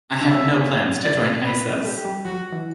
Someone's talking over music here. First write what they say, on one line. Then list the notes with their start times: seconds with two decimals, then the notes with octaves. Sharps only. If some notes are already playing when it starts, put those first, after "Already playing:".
I have no plans to join Isis.
0.21 D4 E5
0.34 C#4
0.48 B3
0.61 C#4
1.03 D5
1.44 B3 B4
1.84 A3 G4
2.05 G3
2.25 F#3 F#4
2.52 E3